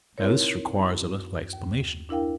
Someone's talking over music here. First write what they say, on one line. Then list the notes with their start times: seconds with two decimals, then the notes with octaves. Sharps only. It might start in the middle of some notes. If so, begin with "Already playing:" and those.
Now this requires a little explanation.
0.18 C4 D#4 E4 A#4 C#5
0.86 F#2
1.53 D#2
2.09 D4 E4 A#4 F5 G5